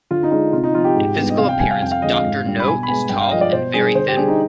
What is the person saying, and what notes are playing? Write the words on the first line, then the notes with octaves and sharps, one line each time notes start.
In physical appearance Doctor No is tall and very thin.
D3 F4
D#4
G#3 D4 F4
C3 F4
D#4
F3 C4 F4
G4
G#2
G3 B3 D4
D#5
C3 F5
G5
G3 C4 G#5
F5
F2 G5
F5
D3 F3 G#3 D#5
F5
G#2
G3 D4
B5
B2 G#5
B5
G#3 B3 G#5
G2 G5
F5
F3 G#3 D#5
D5
B2 C5
G3 D4 G#4
D3 C5
G4
G3 D4 G#4
D#4